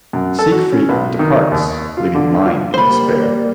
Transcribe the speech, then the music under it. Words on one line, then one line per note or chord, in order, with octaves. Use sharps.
Siegfried departs, leaving Mime in despair.
F#2
A4
F#4
C#4
B1
D#3
D#2
F4
D3
F4
G3 A#3 C5 B5